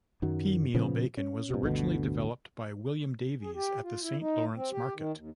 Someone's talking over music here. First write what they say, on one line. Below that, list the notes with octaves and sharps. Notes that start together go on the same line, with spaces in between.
Peameal bacon was originally developed by William Davies at the Saint Lawrence Market.
F#2 D#3 F#3
A#2 C#3 F3 B3
C#4
G2 C3
G1 D2 B2 D3
G#4
G4
F4
E4
D#4
C4
G4
D#3
D#2